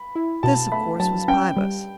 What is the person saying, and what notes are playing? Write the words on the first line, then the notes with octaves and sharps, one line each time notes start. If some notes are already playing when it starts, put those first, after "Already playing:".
This, of course, was Pybus.
Already playing: B5
E4
B2 A5
A3 B5
F#3 A5
C#4 G5
G3